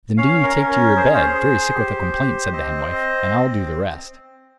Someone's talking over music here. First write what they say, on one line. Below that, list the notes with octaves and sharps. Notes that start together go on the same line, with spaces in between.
"Then do you take to your bed, very sick with a complaint," said the Hen-Wife, "and I'll do the rest."
C#4 C#5 F5
A#4
C#4
A#4
G#4 C5
C#5
G#4 C5
G#4
G4
G4
C4 C5 D#5
C4